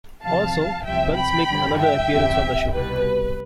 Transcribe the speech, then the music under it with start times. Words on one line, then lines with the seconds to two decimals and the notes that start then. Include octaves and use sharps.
Also, guns make another appearance on the show.
0.23 E2 C3 F3 F5 A5
0.85 C2 C3 F3 E5 G5
1.17 G5 B5
1.49 G1 G2 D3 F3
1.79 E5 G5
2.11 E2 C3 G3
2.73 C2 B2 G3 B4